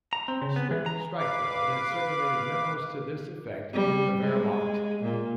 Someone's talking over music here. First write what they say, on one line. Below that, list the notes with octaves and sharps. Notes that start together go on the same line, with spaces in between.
Strik-Strikfeldt had circulated memos to this effect in the Wehrmacht.
A#5
C4
C#3
B3
E3
A#5
B4 F5 D6
G3
G#3
A#2